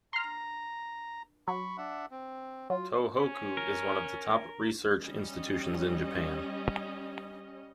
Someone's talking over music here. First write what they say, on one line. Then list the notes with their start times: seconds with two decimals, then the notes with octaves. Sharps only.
Tohoku is one of the top research institutions in Japan.
0.13 A#5 C6 F6
1.48 F#3 B5 C#6
1.78 D4 E5 F#5
2.11 C4
2.70 F#3 F4
3.20 C#4
3.57 A#4
5.01 G3 C#4 D#5